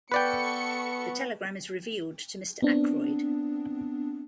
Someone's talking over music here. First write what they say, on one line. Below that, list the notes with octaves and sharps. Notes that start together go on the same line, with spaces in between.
The telegram is revealed to Mr. Ackroyd.
B3 A4 B4 D5 G5 C#6 C#7
B3 C4 D4